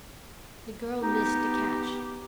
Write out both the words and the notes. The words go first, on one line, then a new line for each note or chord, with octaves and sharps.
The girl missed the catch.
B3 D#4 G4